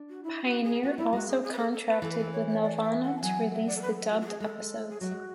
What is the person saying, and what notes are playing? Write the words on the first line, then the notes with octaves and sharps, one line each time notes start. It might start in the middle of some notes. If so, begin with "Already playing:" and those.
Pioneer also contracted with Nelvana to release the dubbed episodes.
Already playing: D4
F#4
E4
F#4
G#4
B3 F#4
A3 E4
G#3 F#4
G#4
G#4
B4
A4
A4
B4
E3 A4
B4
A4
C#5
C#5
D5
D5
E5
F#5
A5
F#3 G#5
E5
D5
A4
B4
G#4
A4
F#4
F#4
G#4
G#3 A4
G#4
F#3 F#4
G#3